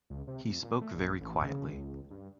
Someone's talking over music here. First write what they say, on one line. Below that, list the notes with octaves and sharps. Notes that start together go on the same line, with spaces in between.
He spoke very quietly.
C#2
C3
F2
A#2
A3
A#1
A1
C#3
C#2
G2